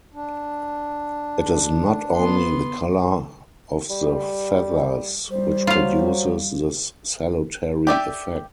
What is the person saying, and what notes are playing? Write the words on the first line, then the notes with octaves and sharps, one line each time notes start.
It is not only the color of the feathers which produces this salutary effect.
D4
B3 C6
G3
G3 C5
F#3 F4 F5
G4 D5 E5 G5